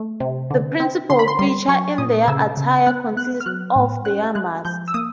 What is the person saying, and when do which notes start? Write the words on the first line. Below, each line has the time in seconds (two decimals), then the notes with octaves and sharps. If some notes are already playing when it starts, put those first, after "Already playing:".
The principal feature in their attire consists of their masks.
Already playing: A3
0.20 C3
0.50 D3
0.80 C4
1.10 D3 C6
1.19 B5
1.28 C6
1.39 G3 C6
1.68 F#3 C#6
1.98 A#2 D#6
2.28 C#3 E6
2.57 C#3
2.86 B3 F#6
3.17 B3 F#6
3.40 F6
3.46 F#3 F#6
3.76 A2
4.05 C#4 F#6
4.35 G#3 F#6
4.65 F3 G6
4.88 E6
4.94 A#3 D#6